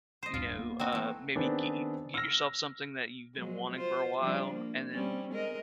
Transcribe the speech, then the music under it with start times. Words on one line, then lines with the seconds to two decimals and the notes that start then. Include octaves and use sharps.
you know, uh, maybe get y get yourself something that you've been wanting for a while and then,
0.23 C5 D#5
0.34 D1 G2 F4
0.59 A#3 B3
0.80 C4 D#4 F#4
0.92 E3 A3
1.36 D#3 B3 C4 D4 G#4
2.14 E6 F6 A#6
3.35 F3 F#3 G#3
3.73 F4 C5
4.21 F3 G3 D4
4.53 A#3
4.92 G3 C4 C#4
5.32 G#3 A#4 D#5